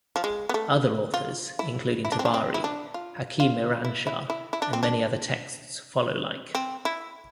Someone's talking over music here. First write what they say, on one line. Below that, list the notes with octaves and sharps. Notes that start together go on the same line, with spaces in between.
Other authors, including Tabari, Hakim Iranshah and many other texts follow like.
F3
G#3
B3
A3
F4
E4
E4
D4
C4
D4
C4
E4
D4
F4
F4
E4
E4
E4
E4
D4
C4
D4
C4
E4